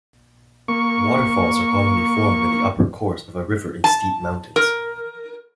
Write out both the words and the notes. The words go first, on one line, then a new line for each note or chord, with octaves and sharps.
Waterfalls are commonly formed in the upper course of a river in steep mountains.
A#3 C#6
A5
A#4